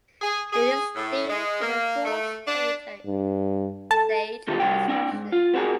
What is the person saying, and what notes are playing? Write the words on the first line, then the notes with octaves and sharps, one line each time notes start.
It is dated to the fourth stage of construction.
G#4
G#4
A2
G#3
A#3
A3
D4
G2
A4 A5
B2 D3 D#3 F4 G4 A4
C2 F2 C3 G3 F#4 G5
C4 D4 G5
G#2
F4
B3 C4 F#4 G#4 A#4